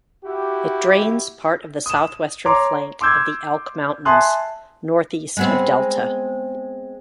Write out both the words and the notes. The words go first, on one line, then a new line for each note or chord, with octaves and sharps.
It drains part of the southwestern flank of the Elk Mountains northeast of Delta.
E4 F#4 G4
D#6 E7
C#5 A#5 C6 D6
C6 D6 E6 G6 G#6
E5 G#5 A5 C6 D#6 F#6
G#3 B3 C4